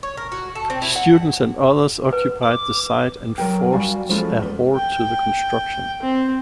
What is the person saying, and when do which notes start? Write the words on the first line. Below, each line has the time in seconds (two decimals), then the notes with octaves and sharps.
Students and others occupied the site and forced a halt to the construction.
0.03 C#5
0.17 A#4
0.32 F#4
0.55 A4
0.70 C4
0.82 E4
0.96 F#5
2.13 B4
2.43 D6
3.38 F#3 A#4 G5
3.72 G3 F#4 D5 F5 G#5
4.09 F3 G#3 A3 C#4 E4 F4
4.39 E2 B4
4.76 G5
6.02 C4